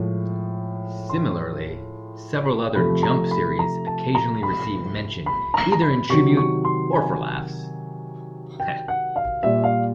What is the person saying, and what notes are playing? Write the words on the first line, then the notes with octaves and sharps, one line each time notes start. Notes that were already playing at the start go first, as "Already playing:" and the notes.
Similarly, several other "Jump" series occasionally receive mention either in tribute or for laughs.
Already playing: A2 F3 G#3
C6
C3 F3 A3 B5
A#5
B5
A#5
A5
A#5
B5
B5
A#5
A#5
B5
C3 D#3 F#3 C#6
C#6
C6
G#5
G5
F#5
F5
A#2 G3 E5
F5